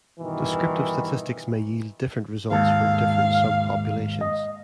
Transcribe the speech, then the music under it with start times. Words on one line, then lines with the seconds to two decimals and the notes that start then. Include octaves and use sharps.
Descriptive statistics may yield different results for different subpopulations.
0.20 G2 B2 D#3 E3
2.51 D#2 G#2 A4 F5
4.21 D#5